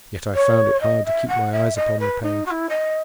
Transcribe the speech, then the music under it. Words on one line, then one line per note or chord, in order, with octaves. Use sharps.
Yet I found it hard to keep my eyes upon the page.
C#5
D#5
E5
F#5
E5
D#5
B4
D#4
F#4
E4
D#5